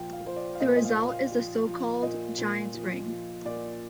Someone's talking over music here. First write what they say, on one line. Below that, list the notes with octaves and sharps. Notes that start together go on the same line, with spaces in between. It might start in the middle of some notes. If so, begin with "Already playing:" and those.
The result is the so-called Giants' Ring.
Already playing: A#2 F3 G5
F5
F3 C5
D5
F5
A#2 D#5
D#5
F5
A#2
F5
F3
F3
A#2 D#5
A#2
F3
F3
A#2 D5